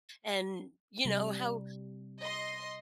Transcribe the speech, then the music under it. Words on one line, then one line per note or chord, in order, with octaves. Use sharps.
and, you know, how
C3 G3
D#5 C6